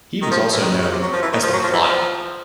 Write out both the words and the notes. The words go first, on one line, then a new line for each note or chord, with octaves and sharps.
He was also known as "the plotter".
D#3
F3
E3
D#3
C#3
C#3
C3
F#3
F3
E3
D#3
F3
F#3
F3
E3
F3